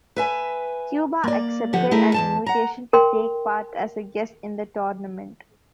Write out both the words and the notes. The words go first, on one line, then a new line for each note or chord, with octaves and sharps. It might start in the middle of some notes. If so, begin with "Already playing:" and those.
Cuba accepted an invitation to take part as a guest in the tournament.
B4 E5 G#5
A#3 D5
D3 F3 G4 F#5
A3 E4 G#4 A#4
E2 G#2 A5
F#5 A#5
A#4 G5 C6